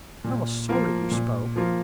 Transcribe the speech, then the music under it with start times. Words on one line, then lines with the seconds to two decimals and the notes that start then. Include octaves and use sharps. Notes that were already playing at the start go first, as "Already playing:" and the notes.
I was sorry you spoke.
0.24 A#2
0.69 F3 A#3 F4
1.11 A#2
1.56 F3 A#3 F4